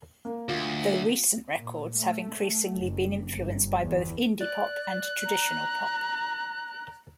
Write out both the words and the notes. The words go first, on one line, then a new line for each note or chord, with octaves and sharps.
Though recent records have increasingly been influenced by both indie pop and traditional pop.
A#3
D2 F4
A#2
A3
F#1
G1
E2
D5 F#6
A#5